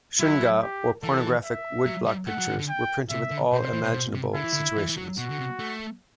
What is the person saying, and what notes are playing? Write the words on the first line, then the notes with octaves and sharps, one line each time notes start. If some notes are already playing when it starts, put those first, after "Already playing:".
Shunga or pornographic wood-block pictures were printed with all imaginable situations.
F#3 E4
G4
E3 A4
E5
F#3
G3
A3 F#5
F#3
D3
D3
G5
C3 E5
D3
B2 C5
C3
E3
B2
B2
C3
D3 E4
E3
D3
E3
E3
F#3
B2 F#4
D3
C3
A3